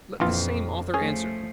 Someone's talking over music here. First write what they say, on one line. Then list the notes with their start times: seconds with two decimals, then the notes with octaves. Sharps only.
Let the same author answer.
0.20 A#1 F2 E3 F4
0.94 F3 A3 C#4 G#4